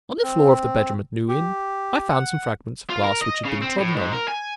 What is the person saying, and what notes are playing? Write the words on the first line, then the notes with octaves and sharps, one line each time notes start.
On the floor of the bedroom at New Inn I found some fragments of glass which had been trodden on.
C4
G4
F#5
F4
A#4
D#5
C#3
C4
A2
G#2
A#4
G#5